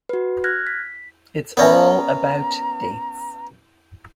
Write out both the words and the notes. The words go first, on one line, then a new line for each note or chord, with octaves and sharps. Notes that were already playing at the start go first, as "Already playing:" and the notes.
It's all about dates.
F#4 B4
F6 F#6 G#6 A#6
B6
B3 C#4 A#4 D5 E5 A#5